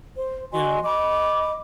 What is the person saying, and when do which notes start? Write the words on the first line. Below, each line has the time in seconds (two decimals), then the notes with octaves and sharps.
You know?
0.16 C5
0.52 F#4 D#5 G#5 C6
0.84 D#5 B5 D6